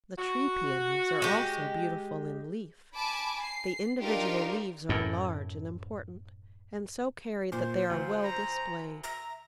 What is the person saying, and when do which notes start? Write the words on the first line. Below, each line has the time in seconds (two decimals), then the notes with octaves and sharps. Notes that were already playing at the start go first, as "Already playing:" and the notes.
The Tree Paeonies are also beautiful in leaf; the individual leaves are large and important, and so carried that they are well displayed.
0.17 F#4
1.22 G#3 G4
2.94 G#5 A5 B5 D6
3.41 C7
4.03 D4 D#4 F4 G4 A#4
4.89 F#2 A2
7.52 A#2 C5
7.90 D2 F4
8.24 A#5
9.04 E5 A#5